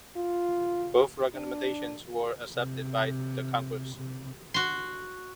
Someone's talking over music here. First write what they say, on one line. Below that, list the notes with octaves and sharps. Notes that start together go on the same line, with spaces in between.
Both recommendations were accepted by the Congress.
F4
D4
C3
C3
F#4 C6